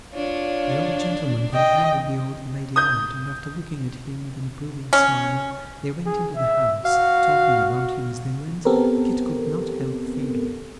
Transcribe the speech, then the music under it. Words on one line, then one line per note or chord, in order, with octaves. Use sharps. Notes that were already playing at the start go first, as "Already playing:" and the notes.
The old gentleman then handed the old lady out, and after looking at him with an approving smile, they went into the house--talking about him as they went, Kit could not help feeling.
D4 F4 C#5
D#5 G5
D#6 G6
C#4
G#4
E5
F#4 F5
B3 C4 G4 A4 A#4